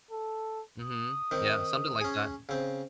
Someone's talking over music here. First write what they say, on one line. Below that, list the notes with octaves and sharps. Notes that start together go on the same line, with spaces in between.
Mhm, yeah, something like that.
A4
D#6
D#3 C4
C#4 G#4
C#3 C4